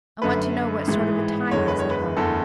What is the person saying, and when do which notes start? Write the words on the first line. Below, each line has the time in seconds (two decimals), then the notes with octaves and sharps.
I want to know what sort of a time is at home.
0.22 F#2 D3 A3 B4
0.87 A1 G#2 E3 G#3
1.51 F#1 E2 D3 G#3 C#5
1.68 B4
1.79 C#5
1.91 B4
2.16 F#1 E2 D3 A3 A4